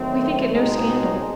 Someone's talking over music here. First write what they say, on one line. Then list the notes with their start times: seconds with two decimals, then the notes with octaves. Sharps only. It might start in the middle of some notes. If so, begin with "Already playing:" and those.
We think it no scandal.
Already playing: D#3 F#3 A3 C4
0.54 C#2 B2 G#3 C4 D#4